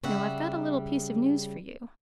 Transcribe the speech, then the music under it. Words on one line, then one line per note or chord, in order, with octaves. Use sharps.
Now I've got a little piece of news for you.
C#3 G3 E5 F#5